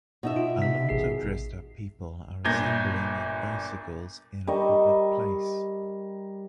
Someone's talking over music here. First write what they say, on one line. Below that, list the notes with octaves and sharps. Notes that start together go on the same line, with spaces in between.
A lot of dressed-up people are assembling their bicycles in a public place.
B2 D#4 E5
F4
C3 B6
A1 G#4 C7
G1 A#2 G6 G#6 A#6
G3 A#4 D#5 C#6